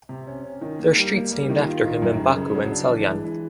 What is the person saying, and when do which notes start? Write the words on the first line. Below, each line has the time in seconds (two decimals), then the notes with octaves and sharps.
There are streets named after him in Baku and Salyan.
0.09 C3
0.27 C#4
0.44 C#4
0.61 D#3
0.79 A#3
0.97 G3
1.14 A#3
1.32 G3
1.49 D#3
1.67 F4
1.85 D#3
2.02 F#2
2.19 C#3
2.37 C#3
2.55 F#3
2.72 D4
2.90 E3
3.06 G#3
3.24 E3